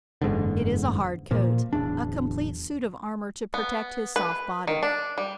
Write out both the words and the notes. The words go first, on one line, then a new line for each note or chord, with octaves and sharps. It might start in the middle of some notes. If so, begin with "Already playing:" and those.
It is a hard coat, a complete suit of armour to protect his soft body.
F#1 E2 G#2 D3
A#2 F3
D1 E2 D4
B3
B4
D#3
D4
G3